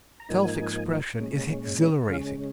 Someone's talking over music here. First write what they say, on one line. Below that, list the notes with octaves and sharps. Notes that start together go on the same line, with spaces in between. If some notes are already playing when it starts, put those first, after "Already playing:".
Self-expression is exhilarating.
A#5
G#2 F3 A#3 D#4 G#5
A#2 G#3 C#4
C#3 G#3 C#4 F5